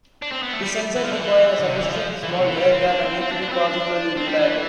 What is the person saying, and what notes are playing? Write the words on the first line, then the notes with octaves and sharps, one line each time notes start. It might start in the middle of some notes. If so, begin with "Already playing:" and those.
These sensors require a sufficiently small air gap and need to be particularly reliable.
D4
C4
B3
A3
G3
E3
F3
D3
E3
D3
C3
D3
E3
F3
E3
D3
C3
E3
G3
C4
D4
C4
C4
D4
D4
B3
C4
D4
C4
G3
E3